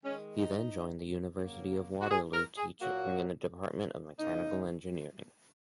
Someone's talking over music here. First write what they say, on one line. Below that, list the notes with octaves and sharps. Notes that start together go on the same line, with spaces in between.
He then joined the University of Waterloo teaching in the department of mechanical engineering.
D#3 G#3 C#4
D#4
C#3 F#3 A#3
F#4
G#4
A#4
G#4
A#2 F#3 A#3 F#4
C#3 A#3 D#4